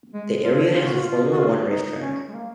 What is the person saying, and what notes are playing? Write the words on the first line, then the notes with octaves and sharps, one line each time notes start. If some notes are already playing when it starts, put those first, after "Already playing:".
The area has a Formula One racetrack.
G#3
F4
F4
F#4
F4
F4
F#4
F4
D#4
C#4
G#3
A#3